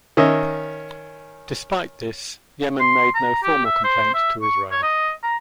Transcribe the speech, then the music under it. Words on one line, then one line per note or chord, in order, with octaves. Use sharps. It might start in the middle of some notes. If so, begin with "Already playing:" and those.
Despite this, Yemen made no formal complaint to Israel.
D#3 C#4 D#5 E5
C6
A#5
G4
E5
C5
E5
C#6
C#5
D#5
A#5